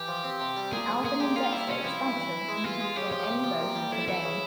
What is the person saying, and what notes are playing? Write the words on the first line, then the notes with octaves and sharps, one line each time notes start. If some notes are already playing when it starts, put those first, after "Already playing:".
The Alvin and Dexter Expansion can be used on any version of the game.
Already playing: E3 G4
F3
C4
C3
G3
A#2 G#4
F3
A#2 G#4
G#3 G4
A#2 F4
G3 E4
C3 C#4
F3 E4
G2
E3
E3
G#3
E3 F4
G#3
C#3 G4
F3 G4
C3
F3
A#2
G3
F2 E4
E3 E4
C#3